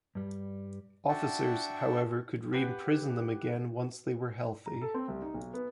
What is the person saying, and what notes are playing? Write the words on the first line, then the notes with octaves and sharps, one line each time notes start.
Officers, however, could re-imprison them again once they were healthy.
G2 G3
D4 F#4 E5 F#5 G5 A5
G4 B4 F#5
A#5
A4
C4
C2
D#4
B1
B3